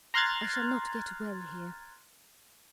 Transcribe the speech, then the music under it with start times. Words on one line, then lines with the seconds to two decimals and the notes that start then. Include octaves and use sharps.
I shall not get well here.
0.14 A#5 C6 F6 F#6 G#6 A6